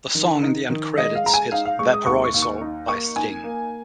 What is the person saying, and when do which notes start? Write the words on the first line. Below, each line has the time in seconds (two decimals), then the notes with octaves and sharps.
The song in the end credits is "Valparaiso" by Sting.
0.15 D#3
0.43 D#4
0.70 D#3
0.97 G#3 D#5
1.15 F5
1.24 G#3 A#5
1.34 G#5
1.52 D#4 F5
1.65 F5
1.79 G#3 C#6
1.93 D#6
2.06 D#2 C#6
2.25 C#6
2.34 D#2
2.42 C#6
2.61 D#4
2.88 A#3 C#6
3.16 D#4 G#5
3.44 A#3